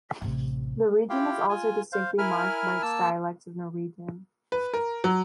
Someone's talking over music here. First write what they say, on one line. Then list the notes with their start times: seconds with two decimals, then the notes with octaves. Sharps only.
The region is also distinctly marked by its dialects of Norwegian.
0.22 A1 C3
1.10 E4 F4 G4 F5 G5
1.49 F4 G#5
1.93 C5 F5
2.18 E4 A#4 G#5 B5 F6
2.82 A#3 A5 E6
4.52 B4
4.74 A#4
5.04 F#3